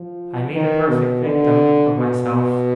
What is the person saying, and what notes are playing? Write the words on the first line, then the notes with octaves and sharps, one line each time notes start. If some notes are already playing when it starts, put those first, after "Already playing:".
I made a perfect victim of myself.
Already playing: F3
D#3
B2
D3
B2
B2